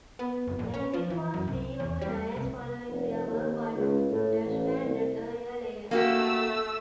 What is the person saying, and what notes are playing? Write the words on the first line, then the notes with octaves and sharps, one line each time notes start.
The unit was reorganized following the war, but disbanded a year later.
B3
F#1
A#1
C#4
F3
E3
F#2
C2
E2
G3
C2
F1
D#2
C#2
A2
A1
C2
A3 A#3 F#4 G4 E6